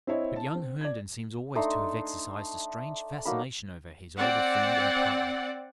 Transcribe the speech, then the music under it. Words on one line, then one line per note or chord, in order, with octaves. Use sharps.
But young Herndon seems always to have exercised a strange fascination over his older friend and partner.
C4 E4 C#5 D#5
A5
C4
D5 G#6
A3 D4 D#4 C6
F#3 A#3 D#4 B5
C4 D5 F#5